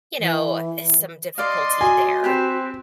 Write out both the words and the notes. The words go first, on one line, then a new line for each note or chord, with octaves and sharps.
you know, some difficulty there
E3
D5 D#5 F5 C6
F#4 G#5
C4 G4 B4 C5